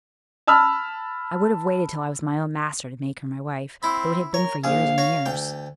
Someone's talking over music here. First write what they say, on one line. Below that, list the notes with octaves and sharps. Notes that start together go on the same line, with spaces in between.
I would have waited till I was my own master to make her my wife, though it had been for years and years.
A5 B5 E6 F6
C4 E4 B5
A#4 C#5
A#1 G#4 F5
F#4 C#5
D2 G5